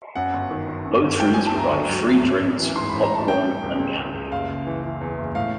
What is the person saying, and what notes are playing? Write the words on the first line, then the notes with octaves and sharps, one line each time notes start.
Both rooms provide free drinks, popcorn and candy.
F#2 F#5
G1
D#3
D#3
F#2
G1
F#3 G5
F#3 G#5
A5
D2 A#5
D3 C#6
F#3
D2
A1
A1
E3
G#2 C6
A1 B5
A#5
A3
A5
G3 G5
G3
C#2
C#2
C#2
C#2
F#1 F5
C#3
E3
E3
E2
F#1
A2 F5